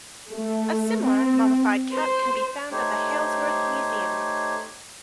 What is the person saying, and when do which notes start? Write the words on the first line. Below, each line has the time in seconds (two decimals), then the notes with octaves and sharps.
A similar mummified cat can be found at the Halesworth Museum.
0.31 A3
1.03 C4
1.91 C5
2.71 A3 D#4 G4 C5 C#5